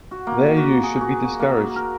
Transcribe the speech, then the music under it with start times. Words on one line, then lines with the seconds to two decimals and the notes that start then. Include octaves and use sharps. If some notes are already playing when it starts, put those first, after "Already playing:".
Their use should be discouraged.
0.11 F#4
0.27 A#3
0.57 F#4
0.83 G#4
1.01 F#4
1.24 F#4
1.40 A#3
1.76 A#4